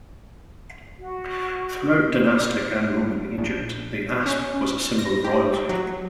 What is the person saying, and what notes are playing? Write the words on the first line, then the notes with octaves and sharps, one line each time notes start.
Throughout dynastic and Roman Egypt, the asp was a symbol of royalty.
F#4
A#1
C#4
A#6
G4
F#3